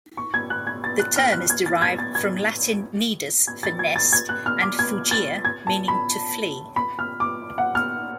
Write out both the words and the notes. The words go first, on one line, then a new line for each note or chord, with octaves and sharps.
The term is derived from Latin "nidus" for "nest" and "fugere" meaning "to flee".
C#6
G#6
F#6
G#6
A6
F#6
F6
F#6
G#6
A6
G#6
A6
G#6
G#6
A6
G#6
A6
G#6
F#6
F6
D6
G#6
A6
G#6
A5
B5
B5
F6
D6
F#5
F6